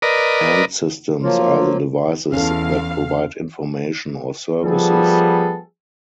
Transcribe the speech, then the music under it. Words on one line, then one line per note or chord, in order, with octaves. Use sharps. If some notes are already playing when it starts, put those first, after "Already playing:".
End systems are the devices that provide information or services.
A#4 B4 D5 D#5
F3 F#3 A#3 F4
E2 C#4 A4 F5
F3 G3 B3 G#4 A4